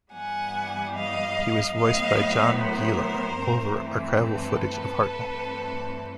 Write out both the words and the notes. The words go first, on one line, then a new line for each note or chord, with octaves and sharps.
He was voiced by John Guilor, over archival footage of Hartnell.
G2 E3 G3 B3 F#5 G#5
D#5 F5
A2 F#3 B3 D#5 F5
A#4 C5
G2 E3 A3 C4
A4 B4
G2 E3 A3 C4